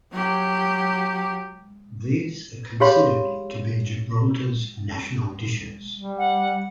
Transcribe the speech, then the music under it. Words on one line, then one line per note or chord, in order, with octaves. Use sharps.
These are considered to be Gibraltar's national dishes.
F#3 G4
G4 G#4 C#5 F5 B5 C6
G3
F#5